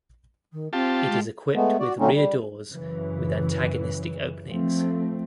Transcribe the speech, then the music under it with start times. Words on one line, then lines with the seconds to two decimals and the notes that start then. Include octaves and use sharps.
It is equipped with rear doors with antagonistic openings.
0.52 D#3
0.73 C4 F4 G4 A5
1.08 G#3
1.55 G#3 A3 B3
1.79 F#4 D5
1.99 D3 F#3 A3 C4 C#4 D#4
2.14 G3
2.69 F#2 C#3 E3
4.46 F3 A3 C4